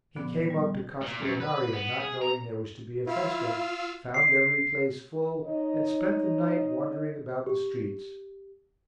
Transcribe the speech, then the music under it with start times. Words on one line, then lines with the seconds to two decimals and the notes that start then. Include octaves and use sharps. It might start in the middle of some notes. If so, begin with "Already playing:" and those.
He came up to Castellinaria, not knowing there was to be a festa, found every place full and spent the night wandering about the streets.
0.16 A#2 D3 F3 B3
0.46 G3 B3
1.01 A#2
1.21 F#2
1.40 B4
1.74 B3
1.98 G#4
2.22 A#5
3.07 E4 F4 F5 E6
4.14 C7
5.44 D#4 C#5 D#5
7.46 G4